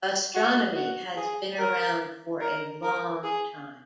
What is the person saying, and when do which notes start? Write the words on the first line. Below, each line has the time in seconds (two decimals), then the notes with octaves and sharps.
Astronomy has been around for a long time.
0.35 F#4
0.76 F#4
1.17 G#4
1.58 A#4
2.41 A#4
2.82 A#4
3.23 G#4